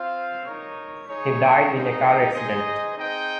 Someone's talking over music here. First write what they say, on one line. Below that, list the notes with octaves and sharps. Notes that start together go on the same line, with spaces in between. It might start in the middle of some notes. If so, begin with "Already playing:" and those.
He died in a car accident.
Already playing: C4 F4 C5 F5
D#4 A#4 C#5
D#4 G#4 C#5
G3 A#3 D#4 G#4
D#4 G#4 C5 D#5
C4 D#4 G#4 D#5 G5